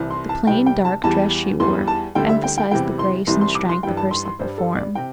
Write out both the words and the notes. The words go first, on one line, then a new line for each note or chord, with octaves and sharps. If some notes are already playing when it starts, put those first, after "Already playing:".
The plain dark dress she wore emphasized the grace and strength of her supple form.
Already playing: C2 C3 E3
C6
A5
C2 C3 G3 G5
G5
A5
E2 E3 G3 A5
E2 E3 G3 C6
A5
D2 D3 G3 G5
E5
G5
G5
E2 C3 E3 G3 G5
C6
C2 C3 E3 G3 C6
C6
D6
C6
G2 E3 G3 G5
A5
C6
C6
G2 G3 C5
A4
D5
C3 G5